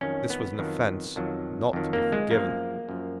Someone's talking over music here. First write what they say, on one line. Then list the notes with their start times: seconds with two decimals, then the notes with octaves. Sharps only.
This was an offence not to be forgiven.
0.01 F2 D#3 F#3 C#4
0.30 B3
0.59 F2 D#3 F#3
1.16 F2 D#3 F#3
1.73 F2 D#3 F#3
1.93 A#3
2.12 G#3
2.31 F#2 F3 A#3
2.89 F#2 F3